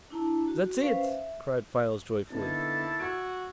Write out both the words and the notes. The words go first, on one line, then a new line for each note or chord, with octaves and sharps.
"That's it!" cried Files joyfully.
D4 E4 A5 A#5
F#4
C#4 B4 C5 F5
E5
D3 A#3 B3 D#4 E4 A4 A5
F#4 E6 G#6 D7